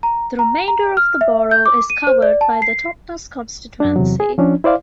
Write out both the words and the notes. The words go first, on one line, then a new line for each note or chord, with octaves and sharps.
The remainder of the borough is covered by the Totnes constituency.
A#5
A#5
A#5
F6
E5
G6
D6
D#7
C5
D5
A5
C7
F#2 D4
E2 C3 F#3
G#4
F3 C#4 D4
E4 C5 D5 F5